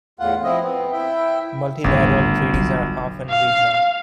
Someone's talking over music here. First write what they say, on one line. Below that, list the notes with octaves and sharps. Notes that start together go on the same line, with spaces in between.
Multilateral treaties are often regional.
E2 A2 F4 F#5
F3 C4 E4 D#5
B3 C4
E4 E5 G5
G1 D#2 A2
F#3
F5